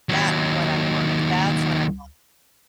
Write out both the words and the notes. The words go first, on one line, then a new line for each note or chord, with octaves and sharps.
That's what I want, that's what I want,
D#2 F#3